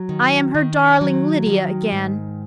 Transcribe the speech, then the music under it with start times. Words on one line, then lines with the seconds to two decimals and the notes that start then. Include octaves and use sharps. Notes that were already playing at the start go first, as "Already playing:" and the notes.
I am her darling Lydia again!
Already playing: F#3
0.09 D#3
0.55 D#3
1.01 F#3
1.47 D#3
1.92 G#2